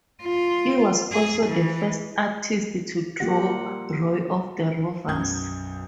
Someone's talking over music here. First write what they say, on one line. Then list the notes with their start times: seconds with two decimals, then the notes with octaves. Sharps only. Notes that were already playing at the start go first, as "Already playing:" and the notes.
He was also the first artist to draw "Roy of the Rovers".
0.23 F4
1.12 G#4
1.47 E3
3.20 G3 A#3 F4 G4 F#5
5.08 B1 F#2 D#6 G6 G#6